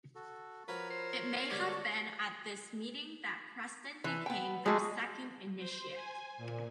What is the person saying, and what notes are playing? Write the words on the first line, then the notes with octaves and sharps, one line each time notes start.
It may have been at this meeting that Preston became their second initiate.
F#4 A4
F3 F#4 A#4 B4 C#5 A#5
C5
D3 G3 G#3
A4
E3
B3 G5
G#3 A3 F#4
C5
G#5
A#2